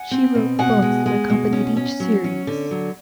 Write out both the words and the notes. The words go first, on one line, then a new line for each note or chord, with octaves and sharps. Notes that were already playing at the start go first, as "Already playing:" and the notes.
She wrote books that accompanied each series.
Already playing: F#5 G#5
C4
B2
B2 F#5 G#5
G#3
G#3
B2
C#4
C#4
F#3
C#4
D3
F#3